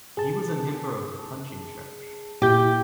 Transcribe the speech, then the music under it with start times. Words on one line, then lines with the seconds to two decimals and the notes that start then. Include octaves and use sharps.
He was a member of the Punching Church.
0.17 G#4 A5
2.42 A#2 E4 G4 G6